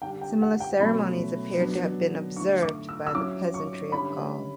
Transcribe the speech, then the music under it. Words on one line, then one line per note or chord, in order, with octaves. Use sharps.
Similar ceremonies appear to have been observed by the peasantry of Gaul.
D3 G3 D4 G5
G5
F#5
G5
B2 F#3 A3 C#4 E4 B5
F#3 B3 D4
D3 A3 E4 C#6
D6
E6
E6
F#3 C#4 E4 D6
C#6
D3 G3 C#4 E4 B5